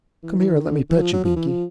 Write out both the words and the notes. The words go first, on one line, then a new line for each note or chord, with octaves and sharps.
Come here and let me pet you, Binkie.'
E3
E3
D#3
D3
E3
F#3
F3
F#3
F3
E3
F3